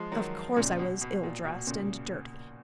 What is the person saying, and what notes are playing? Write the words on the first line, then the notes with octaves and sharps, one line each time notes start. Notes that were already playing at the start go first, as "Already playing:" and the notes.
Of course I was ill-dressed and dirty.
Already playing: F3 G#3
D#3 F#3
A#2 C#3
B2
B2
A#2
B2
A#2 C#3